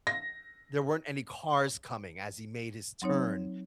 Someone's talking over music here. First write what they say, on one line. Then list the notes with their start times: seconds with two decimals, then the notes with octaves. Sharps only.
there weren't any cars coming as he made his turn-
0.07 A#6
3.02 F#3 C4 D#4 C#5